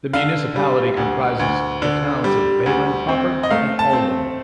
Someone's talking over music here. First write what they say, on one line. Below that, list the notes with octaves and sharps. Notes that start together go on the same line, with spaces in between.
The municipality comprises the towns of Balen proper and Olmen.
D3 F5
G3
D2
D2
D3
G3
D2
C4
D#5
A3 F5
A5
C4